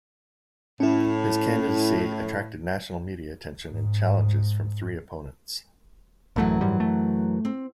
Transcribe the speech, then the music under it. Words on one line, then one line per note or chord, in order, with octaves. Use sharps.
His candidacy attracted national media attention, and challenges from three opponents.
A2 C#4 E4
G#2
A1 F#2 E3 F#3 A3
G#2 G3
A3
C4